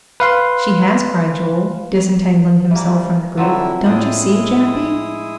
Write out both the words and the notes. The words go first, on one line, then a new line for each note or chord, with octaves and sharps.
"She has," cried Joel, disentangling himself from the group, "don't you see, Jappy?"
B4 F5 C6
E3 G3 A#3
D3 F3 F#3 C4 E4
A2 G#3 D4 E4 G5 D#6